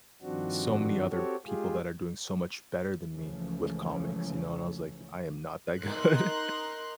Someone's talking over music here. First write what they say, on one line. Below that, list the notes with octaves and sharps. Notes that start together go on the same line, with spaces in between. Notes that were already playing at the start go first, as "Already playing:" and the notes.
so many other people that are doing so much better than me with comics," you know, and I was like, "I am not that good,"
G2 D#3 F3 C4 D4 F#4
C4 F#4 G4 A4 C#5
G#3 F4 G4 G#4
C#2 C#3 E3 F3 A3 C#4
D#4 A#4 C6 F#6